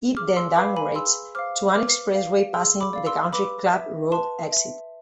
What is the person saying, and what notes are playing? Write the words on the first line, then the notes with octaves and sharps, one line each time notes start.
It then downgrades to an expressway passing the Country Club Road exit.
G#4 D6 F6
C6 E6
B4 F5 B5 D6
G#5 B5
G#4 C6 E6
C5 F5 D6 F6
B4 D6 F6
F5
G#4 C6 E6
B5 D6
D5 F5
C6 E6
B4 B5 D6
E5
B4 A5 C6
E5